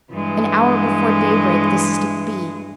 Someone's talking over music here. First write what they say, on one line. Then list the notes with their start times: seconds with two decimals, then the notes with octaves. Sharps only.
An hour before daybreak this is to be.
0.12 G2 E3 G#3